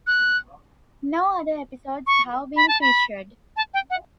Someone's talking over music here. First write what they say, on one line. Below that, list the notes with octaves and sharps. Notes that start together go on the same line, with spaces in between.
No other episodes have been featured.
F#6
C#6
B5
A5
B5
A5
G5
F#5